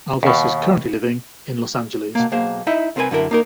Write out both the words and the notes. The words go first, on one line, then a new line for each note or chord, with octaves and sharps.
Alves is currently living in Los Angeles.
D#2 B2
B2 A#3
B1 A#3 G#4 C5
D#4 E4 D#5 E5
C2 C4 A#4 B4 G#5
F#2 D3 E4 A#4
A#3 D#4 A#4